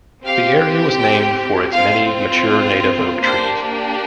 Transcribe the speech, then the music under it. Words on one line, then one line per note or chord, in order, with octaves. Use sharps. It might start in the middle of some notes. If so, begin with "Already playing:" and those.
The area was named for its many mature native oak trees.
C4 G4 F5
G5
C4 F4 F5
A#3 D4 G4 C5